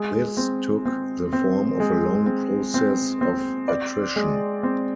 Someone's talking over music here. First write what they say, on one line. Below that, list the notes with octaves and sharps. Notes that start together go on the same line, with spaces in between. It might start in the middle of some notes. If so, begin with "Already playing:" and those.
This took the form of a long process of attrition.
Already playing: G#3
C4
C4
C4
G#3
C4
C4
C4
D5
G#3
C4